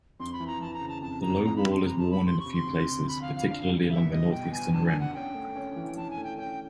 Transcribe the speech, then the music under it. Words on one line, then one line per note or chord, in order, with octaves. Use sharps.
The low wall is worn in a few places, particularly along the northeastern rim.
F2 C6
B5
E3
A#5
E3 A5
A#5
C#3
A5
F2 A5
F2 A#5
F2 A#5
B5
F2
C6
C3 A#5
A5
C3
B5
C3 C6
C#6
C3
C6
D2
C3
D2 B5
F5
F3
F5
D4 F5
G3
B3 E5
G3 D#5
B2 G5
B3 G#5
D4 A5
G#5
D4
F#5
C#4 G5
A3
C#4
E3
E3 A5
G#5
A3
G5
C#4 G5